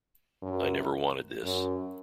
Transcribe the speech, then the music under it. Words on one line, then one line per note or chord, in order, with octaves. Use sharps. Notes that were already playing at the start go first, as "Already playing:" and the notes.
'I never wanted this'.
F#2
F#2